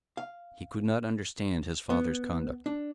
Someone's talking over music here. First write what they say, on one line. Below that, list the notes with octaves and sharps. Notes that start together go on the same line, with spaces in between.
He could not understand his father's conduct.
F5
B3
D4